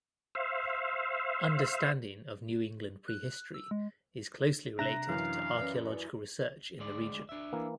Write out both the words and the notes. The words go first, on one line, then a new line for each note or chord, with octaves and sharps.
Understanding of New England prehistory is closely related to archaeological research in the region.
C5 E5 F5
F#6
E6
G#3
C3 D4 E5 A#5 F#6 E7
F#2 E3 F5
C#4 B4 D5
D2 G#3 D5
D4 E5
E3 A#3